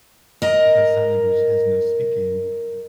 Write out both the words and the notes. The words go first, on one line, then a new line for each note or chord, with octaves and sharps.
because sign language has no speaking,
A#4 D#5